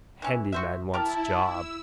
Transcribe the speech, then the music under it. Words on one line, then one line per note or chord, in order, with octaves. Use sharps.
Handy man wants job.
E3 C#4 E4
F#4 C5 E5
E4 G4 A#4 A5
E6